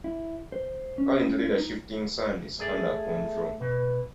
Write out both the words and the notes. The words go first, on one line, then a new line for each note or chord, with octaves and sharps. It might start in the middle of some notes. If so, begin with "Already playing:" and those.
Currently, the shifting sand is under control.
E4
C5
C#4
D#4
A3 G#4 D5
B2 B4